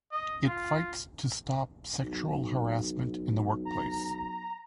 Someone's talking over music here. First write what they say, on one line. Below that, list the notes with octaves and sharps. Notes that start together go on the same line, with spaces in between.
It fights to stop sexual harassment in the workplace.
D#5
F4
B1
A#5